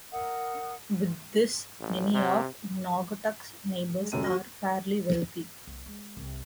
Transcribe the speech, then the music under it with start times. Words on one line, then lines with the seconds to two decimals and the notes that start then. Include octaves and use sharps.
With this, many of Naugatuck's neighbors are fairly wealthy.
0.11 A#4 E5 F#5 D#6
1.80 A1
2.13 C3
4.00 G#3
4.12 D#1 F#2 A3 D#7
4.24 F#4 A#6
5.67 B1
5.86 G#3
6.17 C2